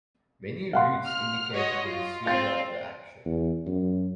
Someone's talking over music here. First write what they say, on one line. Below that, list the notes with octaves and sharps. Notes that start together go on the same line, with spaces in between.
Many roots indicate the receiver of the action.
F5 F#5 C6
F6
F#4 C#5 D#5
F4
C4 F4 F5 A6
E2
F#2